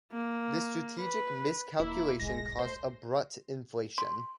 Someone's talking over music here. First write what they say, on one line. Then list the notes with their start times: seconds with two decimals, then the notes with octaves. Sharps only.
This strategic miscalculation caused abrupt inflation.
0.13 A#3
0.99 B4
1.80 D#1 A#3 E4
2.20 D#1 B1 G#2 G#3 A#6
2.59 A3 C5
3.98 C6